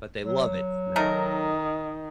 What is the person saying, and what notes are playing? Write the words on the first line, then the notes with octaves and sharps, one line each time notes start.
But they love it now,
F#3
D#3 A3 D#4 A#4